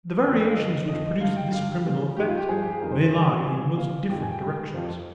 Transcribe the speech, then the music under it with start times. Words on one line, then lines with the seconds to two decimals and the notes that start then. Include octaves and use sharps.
The variations which produce this criminal effect may lie in most different directions.
0.23 F2 D3 F3 G5
0.32 A#4
0.40 D#5
0.48 F5
0.56 G2 D3 F3 D#5
0.88 F2 D3 F3 D#5
1.20 G2 D3 G3 F5
1.36 G5
1.52 G2 D3 G3 F5
1.84 A#2 G3
2.16 G#2 D#3 G3 G4
2.27 F4
2.37 G4
2.49 G2 F3 G#4
2.62 G4
2.72 G#4
2.81 F2 D#3 G3 A#4
2.91 C5
3.02 C5
3.13 G2 D#3 G3 D5
3.45 G#2 G3 G#5
3.77 A#2 F3 F5
4.09 F2 D#3 G3 G5
4.20 G#5
4.31 G5
4.42 G#2 G3
4.74 F2 C3 F3